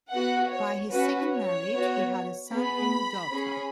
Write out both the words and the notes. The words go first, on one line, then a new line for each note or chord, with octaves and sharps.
By his second marriage he had a son and a daughter.
B3 F#4 F#5
C#5
C#4 F#4 B4
C#5
B3 F#4
B3 G#4 B5
C#4 G#4